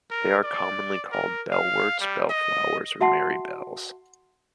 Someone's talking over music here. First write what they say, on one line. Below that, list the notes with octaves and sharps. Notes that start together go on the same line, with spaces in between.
They are commonly called bellworts, bellflowers or merrybells.
A#4
D5
A#4
F5
G3
D#5
F#4 E5 F#5 A5 C6 C7